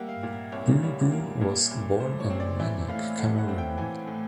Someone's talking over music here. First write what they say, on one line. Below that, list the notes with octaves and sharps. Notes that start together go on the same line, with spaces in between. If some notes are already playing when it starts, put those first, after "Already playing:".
Booh-Booh was born in Manak, Cameroon.
Already playing: G3 A#3 E5 F#5 G5
F5
A#2
C2 C#5
G3 C#5
A#3
A#2
C2
A3 C5
C#5
C4
D5
E3 E5
A2 F5
A3 F#5
F#5
C4
G5
E3 G#5
A2